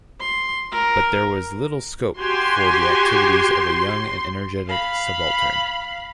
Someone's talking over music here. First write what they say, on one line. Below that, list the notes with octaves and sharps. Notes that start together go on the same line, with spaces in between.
But there was little scope for the activities of a young and energetic subaltern.
C6
A#4
F#4 G4 G#5 C6
F5 B5